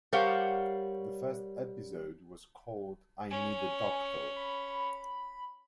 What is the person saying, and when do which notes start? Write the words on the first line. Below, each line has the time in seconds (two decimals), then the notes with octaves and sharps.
The first episode was called I Need a Doctor!
0.13 G3 A#4 C5 C#5 F5 F#5
3.31 C#4 G#5
4.36 B5